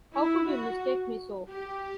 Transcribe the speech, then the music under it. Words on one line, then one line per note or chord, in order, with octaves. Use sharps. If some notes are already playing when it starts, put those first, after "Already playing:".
How could you mistake me so?
E4
F#4
G4